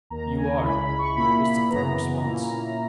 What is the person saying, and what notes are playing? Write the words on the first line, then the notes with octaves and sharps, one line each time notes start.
"You are," was the firm response.
D#2 D#3 A#3 A#5
G#5
C#2 C#3 G#3 C#4 E4 B5
B5
C#6
A#2 A#3 E4 B5
B5
F#2 C#3 E3 B3 A#5
A#2 A#3 C#4 E4